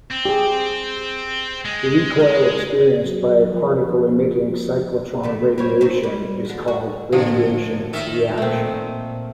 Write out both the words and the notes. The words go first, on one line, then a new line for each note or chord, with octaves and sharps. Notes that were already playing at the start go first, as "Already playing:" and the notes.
The recoil experienced by a particle emitting cyclotron radiation is called radiation reaction.
C4
G4 G#4
G#3
F#3
F3
C3 E3 A3
G3 C4 C#5
B2 C4 D#4
G3
E2 D3
F#4
A2 D3 F3
D#3 E5
A#2 A3 C4